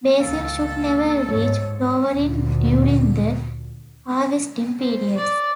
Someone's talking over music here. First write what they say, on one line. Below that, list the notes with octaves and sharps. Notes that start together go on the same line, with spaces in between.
Basil should never reach flowering during the harvesting periods.
C#2 D#3 A#3 A4
G#2 C#5
D2 A#2
C5
D5